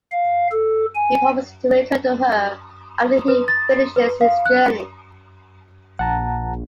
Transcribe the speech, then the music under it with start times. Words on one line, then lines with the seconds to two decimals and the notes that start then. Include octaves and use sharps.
He promises to return to her after he finishes his journey.
0.12 F5
0.52 A4
0.95 G#5
3.28 B4
3.48 A6
3.96 B4
4.21 F5
4.46 F#6
5.99 A#1 F#5 A5 A#5